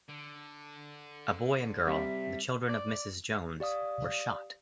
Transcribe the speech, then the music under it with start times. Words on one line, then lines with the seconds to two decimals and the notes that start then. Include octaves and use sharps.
A boy and girl, the children of Mrs Jones, were shot.
0.09 D3
1.87 C3 G3 E5
2.69 D5
3.60 G4 D5 F5 D#6